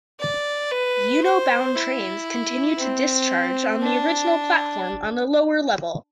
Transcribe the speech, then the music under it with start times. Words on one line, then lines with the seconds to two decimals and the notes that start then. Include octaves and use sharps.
Ueno-bound trains continue to discharge on the original platform on the lower level.
0.20 D5
0.72 B4
1.23 C5
1.75 E4
2.78 C4
3.81 D4